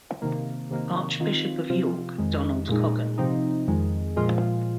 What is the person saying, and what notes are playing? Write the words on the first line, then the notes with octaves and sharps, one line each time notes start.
Archbishop of York Donald Coggan.
C3 D#3 A#3
C3 D#3 A#3
D#3 C4 F4
C3 F3 C4 F4
F2 D#3 G#3
A#2 G#3 D#4
C3 F3 C4 D#4
F2 D#3 G#3
A#2 F3 G#3 F4